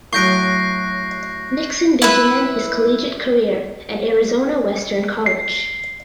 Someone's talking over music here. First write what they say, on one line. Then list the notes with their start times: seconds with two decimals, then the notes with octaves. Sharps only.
Nixon began his collegiate career at Arizona Western College.
0.13 A2 F#3 C#6 F#6 G6 A#6 C7 D7
2.02 E4 B4
5.26 C7